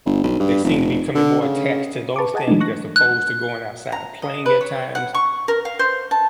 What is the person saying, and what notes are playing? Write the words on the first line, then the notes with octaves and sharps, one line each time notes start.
they seem to becoming more attached to those things as opposed to going outside playing at times,
G1
B1
G2
F1
D3
C#3
B4 A5 C#6 D6
G#4 D#5 F#5 G#5 A5
E3 F#3 G#3 A3 D4 D#4
C#6 F#6 A#6
F#6
A#5
D#5
B4
C#5
F#5
C#6
A#4
F5
C5
A5